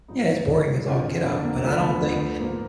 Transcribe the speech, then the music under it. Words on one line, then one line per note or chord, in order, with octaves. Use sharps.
yeah, it's boring as all get up, but I don't think
G#2 F3 D#4
G#2 F3
F2 D3 F3
F2 D3 F3 D4
A#3
D2 D3 F3 B3
D2 D3 F3
G#2 F3 A#3